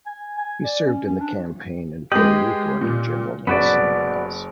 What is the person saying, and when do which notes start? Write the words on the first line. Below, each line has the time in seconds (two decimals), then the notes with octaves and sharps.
He served in the campaign in Puerto Rico under General Nelson Miles.
0.07 G#5
0.38 G#5
0.64 D5
0.87 C#4
1.06 C#4
1.20 D4
2.12 G#3 B3 G4 D#5 F#7
2.81 A#2
3.47 F#1 B3 C#4 F#4 D5 B6